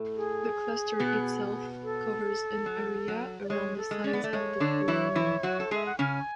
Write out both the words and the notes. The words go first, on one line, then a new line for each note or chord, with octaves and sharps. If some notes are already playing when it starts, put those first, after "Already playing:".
The cluster itself covers an area around the size of the full moon.
Already playing: A2 A3
G#4
B2 B3
A4
F#3
F#3
D5
G#3 C#5
A4
G#3
C#4 D5
B3
A3
G#3 C#5
D3 D4
E3 E4
E3 E4
F#3 F#4
A4
G#3 G#4 E5
F#5
C#3 C#4 G#5